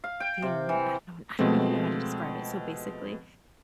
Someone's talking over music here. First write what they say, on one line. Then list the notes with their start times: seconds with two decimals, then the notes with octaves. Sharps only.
being I don't I don't even know how to describe it. So, basically
0.04 F5
0.20 G5
0.42 C3
0.69 E3
1.39 B2 F3 G#3 A3 C4